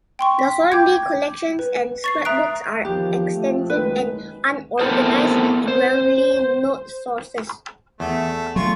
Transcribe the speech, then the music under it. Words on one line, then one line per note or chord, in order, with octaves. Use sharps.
The Hornby collections and scrapbooks are extensive and unorganised, and rarely note sources.
G5 C6 C#6
B6
G5 D6 G6 G#6
B4
C#6 A6 C7
E5 A#5 D#6 F#6 D7
E2 D#3 F3 G4
F3 A3
F#1 D#3 G#3 B4
B3 C4 E4 A4 A#4 C5
C5
E2 A3
F#3 A3 F4 C#6